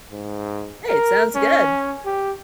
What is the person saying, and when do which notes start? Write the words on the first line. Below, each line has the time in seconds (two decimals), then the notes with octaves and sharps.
Hey, it sounds good.
0.11 G#2
0.89 A#4
1.35 C#4
2.05 G4